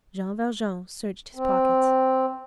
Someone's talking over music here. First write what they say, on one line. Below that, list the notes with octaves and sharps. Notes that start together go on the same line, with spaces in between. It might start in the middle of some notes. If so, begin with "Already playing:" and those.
Jean Valjean searched his pockets.
C4